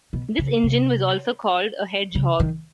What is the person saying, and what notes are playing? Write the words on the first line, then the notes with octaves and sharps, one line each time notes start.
This engine was also called a "hedgehog".
B2
C#3
C3
C#3
D#3